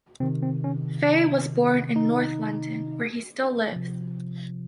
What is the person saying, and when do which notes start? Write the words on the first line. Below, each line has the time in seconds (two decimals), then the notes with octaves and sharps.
Fay was born in north London, where he still lives.
0.20 C3 D#3 C4
0.43 C4
0.64 C#4
1.96 D#4
3.72 C3 F3